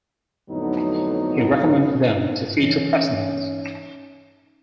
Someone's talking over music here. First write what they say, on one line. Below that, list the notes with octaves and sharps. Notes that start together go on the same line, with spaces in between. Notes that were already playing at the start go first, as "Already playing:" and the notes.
He recommended them to future Presidents.
F2 A2 D3 F#3 B3 D#4
E3 C#4 D#4